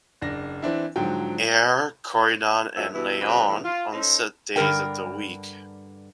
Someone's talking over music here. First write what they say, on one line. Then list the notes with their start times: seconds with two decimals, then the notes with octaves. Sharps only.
Ayr, Corydon, and Leon on set days of the week.
0.21 F#1 D4 A#6
0.62 E3 C4 D4 E4
0.96 G#2 D3 F3 F#3 G5
2.76 F#2 F3 F#3 A#3 A4 E5
2.94 B2 E3 E4
3.20 C#3 F#3 C4 F4 G4 B4
3.47 E2 A2
3.64 F4
3.92 C#4 D#4 A4 C5
4.56 G2 D3 G3 A#4 D5 G5